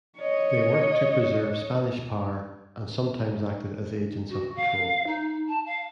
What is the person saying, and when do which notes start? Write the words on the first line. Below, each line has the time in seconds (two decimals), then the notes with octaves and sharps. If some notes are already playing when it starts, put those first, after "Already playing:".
They worked to preserve Spanish power and sometimes acted as agents of patrol.
0.18 C#5 D#5
4.30 F#4
4.56 F5
5.07 D#4
5.49 A5
5.66 F5